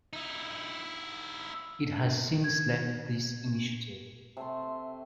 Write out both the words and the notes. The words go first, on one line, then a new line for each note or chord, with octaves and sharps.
It has since left this initiative.
D#4 E4
G#6
C3 A3 C6